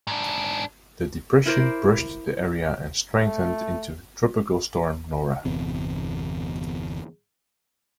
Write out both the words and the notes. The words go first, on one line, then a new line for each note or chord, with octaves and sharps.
The depression brushed the area and strengthened into Tropical Storm Nora.
G#2 D4
E4 A#4 C5 D5
A3
G1 E2 C3